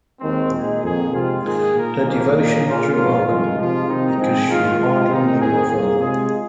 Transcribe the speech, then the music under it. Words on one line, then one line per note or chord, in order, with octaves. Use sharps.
Her devotion was remarkable because she hardly knew her father.
D#2 D#3 G#3 C4
A#2 G#3 D#4 G#4
F2 D#3 A#3 G#4
C3 G#3 C4 F4
G#2 D#3 A#3 G#4
A#2 A#3 F4 A#4
G#1 G#2 F3 A#3 G#4
A#2 A#3 D#4
A#2 A#3 F4
G#2 F3 A#3 F4
F2 D#3 G#3 F4
C3 F3 G#3 F4
C3 D#3 C4 D#4
G#2 F3 C4 G#4
G#2 D#3 A#3 F4
C3 G#3 C4 F4
C3 D#3 C4 D#4
D#2 D#3 C4 G#4
C2 A#2 A#3 G#4
C3 G#3 F4 G#4